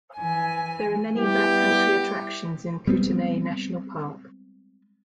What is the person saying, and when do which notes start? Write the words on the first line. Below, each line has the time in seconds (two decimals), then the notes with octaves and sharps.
There are many back country attractions in Kootenay National Park.
0.16 E3 G#5
1.15 G3 B3 E4 G4
2.87 G3 G#3 B3 C4